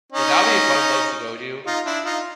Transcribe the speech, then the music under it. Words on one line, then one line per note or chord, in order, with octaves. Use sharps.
Yeah, that'll be a fun place to go to,
C#4 D#4
D#4 F4
D4 E4
D#4 F4